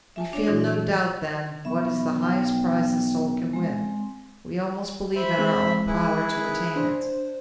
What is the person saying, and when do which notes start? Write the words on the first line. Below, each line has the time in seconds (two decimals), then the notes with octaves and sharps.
We feel no doubt then what is the highest prize the soul can win; we almost believe in our own power to attain it.
0.16 E5 G#5 A5
0.33 D4 C#5 D5
0.47 A#2 E3 F#3 E4 F#4
0.71 E3
1.65 B1 E5 B5 C#6
2.22 G5
3.53 G#3 C4
5.15 C5 E5 B5
5.38 G#3 C4
5.87 E4 G#4 B4
6.76 D4 C5